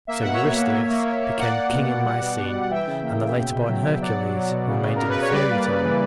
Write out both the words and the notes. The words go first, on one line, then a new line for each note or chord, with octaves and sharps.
So Eurystheus became king in Mycene, and the later-born Hercules remained inferior to him.
A#3 E5
B2 F#5
C#5 E5
B2
A#3
A#3
A#3
A#3
A#3
A#3 D5 F#5
A#3
B2
B2
G3
B2
B2
G3
E3 E5 G5
C#3
A#3
C#3
B2
B2
F#3
B2
F#3 D5 F#5
F#3
F#3
B2
C#3
C#3
C#3 A#4
B4
C#3 C#5
G3 B4 D5
A#3
C#3
E3